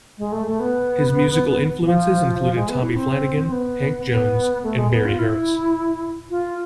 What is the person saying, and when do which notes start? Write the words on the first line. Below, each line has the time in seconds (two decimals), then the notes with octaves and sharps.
His musical influences included Tommy Flanagan, Hank Jones, and Barry Harris.
0.18 G#3
0.32 A3
0.47 A3
0.60 B3
1.85 F3
2.41 F3
2.55 G#3
2.69 B3
2.83 E4
2.97 C4
3.47 C4
3.52 B3
4.08 B3
4.63 A3
4.78 G#3
4.91 B3
5.05 F4
5.19 E4
6.30 F4